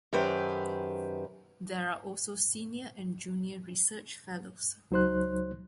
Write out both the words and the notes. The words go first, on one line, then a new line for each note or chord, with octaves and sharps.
There are also Senior and Junior Research Fellows.
F#2 D#3 G4 B4 C5
C#2 F#3 D#4 C5 C6 F#6